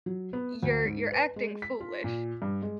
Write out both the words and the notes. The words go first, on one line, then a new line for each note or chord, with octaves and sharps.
"You're you're acting foolish"
F#3
B3
D2
G#2
B4
G#3
B6
F4
A#2
G2
G#3